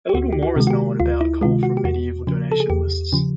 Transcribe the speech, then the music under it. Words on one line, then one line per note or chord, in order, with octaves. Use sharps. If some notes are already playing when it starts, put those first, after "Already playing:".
A little more is known about Kol from medieval donation lists.
G4
D2 F#4
G4
F#4
C3 D#3 G#3
F#4
G4
D2 F4
E4
C3 D#3 G#3 F4
F#4
G4
E2 F#4
C#3 F3
A4
G#4
E2 G4
C#3 F3